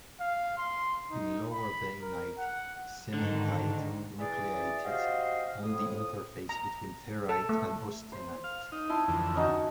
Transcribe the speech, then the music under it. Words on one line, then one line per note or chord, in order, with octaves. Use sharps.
In lower bainite, cementite nucleates on the interface between ferrite and austenite.
F5
C6
D#4
B5
A#4
F#5
G#2 D3 D#3
E3 G#4 D5
F#4 G4 C5 D#5 F5
F2 A2 D#6
A#5
A4
A3
C5
F5
D#4
E4 A5 C6
F2 D3 E3
C#4 D#4 F#4